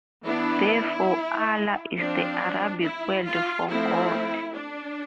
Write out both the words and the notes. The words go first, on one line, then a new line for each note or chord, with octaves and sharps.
Therefore, "Allah" is the Arabic word for "God".
E3 B3 D4 E4
F3 C4 D4
E4
F4
F3 A3 C4 E4
D4